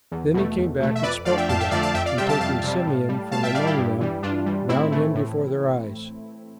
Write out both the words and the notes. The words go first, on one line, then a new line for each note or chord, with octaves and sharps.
Then he came back and spoke to them, and taking Simeon from among them, bound him before their eyes.
E2
B2 A3
E2
B2 A3
E5
F2 B4 D5
D3 F3 A3 D5 F5
E5 G5
F2 F5 A5
E5 G5
D3 F3 A3 D5 F5
F5 A5
F2 E5 G5
D5 F5
C3 G3 E5 G5
F5 A5
F2 F5 A5
C3 G3
A2
G3
A2 F5 A5
E5 G5
G3 D5 F5
E4 G4
G2
E3 G3
G2 D4 F4
E3 G3
A2 C4 E4
E3 A3
A2